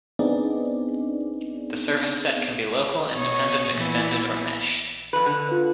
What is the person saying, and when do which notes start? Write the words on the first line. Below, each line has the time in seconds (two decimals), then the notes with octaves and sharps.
The service set can be local, independent, extended or mesh.
0.19 B3 C4 D4 D#4 G#4 D5
3.14 B2 C#5 C#6 D#6
3.74 A#2 E3 B3 E4 G#5 A6
5.13 F2 B4
5.26 D3
5.49 F4 B4